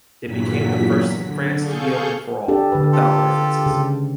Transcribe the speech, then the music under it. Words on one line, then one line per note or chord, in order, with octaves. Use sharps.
It became the first in France to be open for all, without references.
E2 G2 A#2 F#3 B6
D3
G#4 A4 F5 C#6 G6
D4 G4 A4
D3 B4
F4 G4 A4
C#3